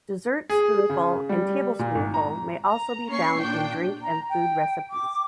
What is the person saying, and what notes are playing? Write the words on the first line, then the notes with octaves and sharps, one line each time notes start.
Dessert spoonful and tablespoonful may also be found in drink and food recipes.
G#4
C#3
G3
A#2
G#1
A#5
A#5
A#3 C#4 C#6 C7
A#2 D4 G5
A#5
G5
D6